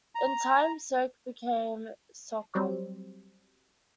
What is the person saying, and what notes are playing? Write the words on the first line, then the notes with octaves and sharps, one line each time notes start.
In time, "Soke" became "Socon".
A#5
F#3 G3 C4